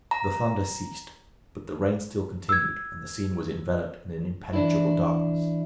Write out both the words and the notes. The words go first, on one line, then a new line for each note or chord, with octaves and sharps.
The thunder ceased; but the rain still continued, and the scene was enveloped in an impenetrable darkness.
A#5
E6 G#6
E3 D4 E4